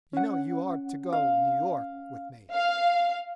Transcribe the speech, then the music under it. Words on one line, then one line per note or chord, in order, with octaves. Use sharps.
"You know you are to go New York with me?"
C#4 F#5
F5
F5